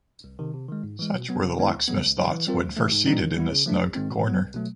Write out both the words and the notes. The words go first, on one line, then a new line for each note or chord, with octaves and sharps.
Such were the locksmith's thoughts when first seated in the snug corner.
C2
C3 D#3
C3
D#3 G#3
G#2
E3 G#3
B2
F#3 B3
C3
D#3 G#3 B3 E4
D2
C#3 F#3 B3
C#2
C#3 F#3
E3
G3 C4 F4 A#4
D2
C3 E3 A3
G#2
E3 G3 C4 D#4
D#3
G3 B3 E4
C#3
F3 A3 D4
A1
G#2 D#3 G#3 C4
B2
F#3 B3
C2
B2 F#3 A3